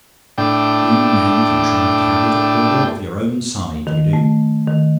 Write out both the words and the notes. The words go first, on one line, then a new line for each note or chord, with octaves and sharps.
You men contrive to have it all of your own side, you do.
A2 D4 G5
D#3
A3
D#3